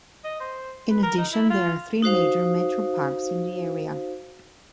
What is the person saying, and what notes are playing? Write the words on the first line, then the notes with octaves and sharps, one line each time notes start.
In addition, there are three major metro parks in the area.
D#5
C5
B4
A#4
D#4
E4
F4
D#4 F#4 C5 F5